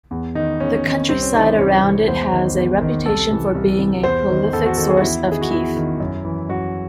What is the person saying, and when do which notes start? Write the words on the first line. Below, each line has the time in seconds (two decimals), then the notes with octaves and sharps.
The countryside around it has a reputation for being a prolific source of kief.
0.11 E2
0.35 D#3 D#4
0.60 E2 C#4
0.85 D#3
1.09 C2 C4
1.21 C#4
1.34 C3 E3 D#4
1.58 C2 C#5
1.83 C3 E3
2.08 E2 C5
2.32 D#3
2.57 E2
2.81 D#3
3.06 C2 A4
3.31 C3 E3
3.55 C2
3.79 C3 E3
4.03 E2 C5
4.29 D#3
4.53 E2 A4
4.66 F#4
4.78 D#3 A4
4.90 G#4
4.97 F#4
5.02 E2 E4
5.26 D#3
5.32 G#4
5.42 F#4
5.51 E2 E4
5.76 D#3
6.00 F#2
6.25 E3
6.49 F#2 F#4